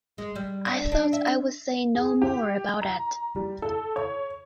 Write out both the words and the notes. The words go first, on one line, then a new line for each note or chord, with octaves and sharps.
I thought I would say no more about it.
G#3
G3
D4
D4
E5
G#4
G4
A#5
G3
A4
C#5